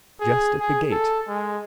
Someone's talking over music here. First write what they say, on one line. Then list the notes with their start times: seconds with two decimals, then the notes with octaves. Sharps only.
Just at the gate.
0.20 G#4
0.60 G#4
0.92 A4
1.28 G#3